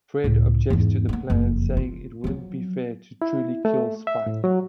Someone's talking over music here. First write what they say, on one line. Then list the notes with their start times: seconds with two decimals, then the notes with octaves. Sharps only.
Fred objects to the plan, saying it wouldn't be fair to truly kill Spike.
0.24 C#2 A2
0.70 E2 G#2
1.09 B3 C4
1.30 F#1 F2
1.77 F4
2.24 F3 F#3
3.22 E4
3.65 A3
4.07 E5
4.27 A2
4.44 F#3